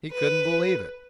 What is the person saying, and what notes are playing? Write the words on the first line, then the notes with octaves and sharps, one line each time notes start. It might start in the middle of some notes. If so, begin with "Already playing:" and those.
He couldn't believe it.
B4